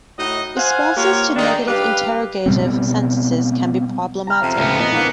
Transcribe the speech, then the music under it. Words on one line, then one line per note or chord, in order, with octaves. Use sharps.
Responses to negative interrogative sentences can be problematic.
A2 D#4 F#4 D#5
C5 F5 F#5 G#5
A#3 F4 G4 C#5
D#3 G#3 D4 D#4
G2 G4 B4 F5
B2 G3 C4
A#5 F6
F2 C3 F5
D1 C#2 A3 B3 F4
A#2 B3 C4 D#5 A#6
A2 D3 E3 A#3 C4